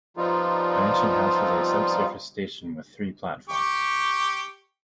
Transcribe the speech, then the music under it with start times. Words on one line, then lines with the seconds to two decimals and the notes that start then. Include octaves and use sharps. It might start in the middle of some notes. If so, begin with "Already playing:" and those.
Mansion House is a sub-surface station with three platforms.
0.17 F3 G3 B3 C4 D#4 F4
3.49 G4 C#6